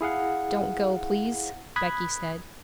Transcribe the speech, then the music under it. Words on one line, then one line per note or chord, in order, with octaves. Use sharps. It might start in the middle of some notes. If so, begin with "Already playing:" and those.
'Don't go, please,' Becky said.
E4 G#4 F5 F#5
B5 D#6 F#6 G#6 B6